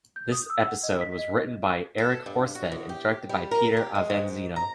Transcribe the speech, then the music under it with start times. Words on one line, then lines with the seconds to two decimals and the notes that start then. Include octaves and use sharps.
This episode was written by Eric Horsted and directed by Peter Avanzino.
0.16 G6
0.32 D#6
0.50 E6
0.67 F#5
0.83 D#5
1.01 B6
1.19 D#5
1.98 A4
2.26 G2
2.55 F#4
2.72 E2
2.89 G4
3.29 G3
3.51 A#4
3.77 G4
3.95 G#3
4.10 G#2
4.56 A#5